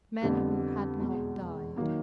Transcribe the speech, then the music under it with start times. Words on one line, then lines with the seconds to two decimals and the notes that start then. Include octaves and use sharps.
Men who had not died!
0.21 F2 D3 G3 B3
0.99 E2 B2 G#3
1.76 D#3 F#3 A#3 D#4